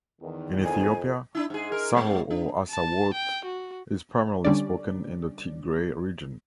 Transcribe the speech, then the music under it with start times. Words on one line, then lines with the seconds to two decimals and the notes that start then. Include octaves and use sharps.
In Ethiopia, Saho or Assawort is primarily spoken in the Tigray Region.
0.22 E2 D#3
0.64 F2 G#5
1.35 D4 E4
1.50 G#2 G#4
1.72 A#4
1.93 G#3 C4
2.30 D4
2.70 A5
3.14 G5
3.45 F#4
4.45 D3 G3 C#4 D4 D5